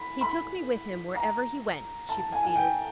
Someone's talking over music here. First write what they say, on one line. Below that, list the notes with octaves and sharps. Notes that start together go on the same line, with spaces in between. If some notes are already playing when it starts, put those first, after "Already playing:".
"He took me with him wherever he went," she proceeded.
Already playing: B5
B5
A#5
A5
G#5
G#5
G5